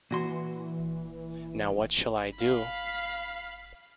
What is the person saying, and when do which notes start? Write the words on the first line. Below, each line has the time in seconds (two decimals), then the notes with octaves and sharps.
Now what shall I do?
0.11 A#2 E3 F#4 C6
2.38 F5 B5